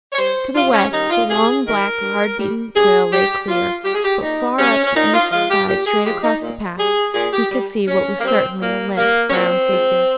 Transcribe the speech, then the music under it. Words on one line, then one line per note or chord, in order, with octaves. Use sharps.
To the west, the long, black, hard-beaten trail lay clear; but far up the east side, straight across the path, he could see what was certainly a limp, brown figure.
C#5
G3 C5
C3 F4
C#4
D#3 G3 D#4
F4
C3 G#4
D#3 G3 A#4
G2
G3
G2 G#4
G3 G4
A#2 F4
G3 G4
G#4
G4
A#2 D#4
G3 C#4
C#4
A#2 D#4
F4
F3 G#3 F4
G4
A#2 G4
G#4
F3 G#3 G4
D#4
A#2
G3 G#4
A#2 G#4
G4
G3
A#2 C#4
A#3
G3 C4
A#2 A#3
G3 A#3
C#4
A#2 C4
F3 G#3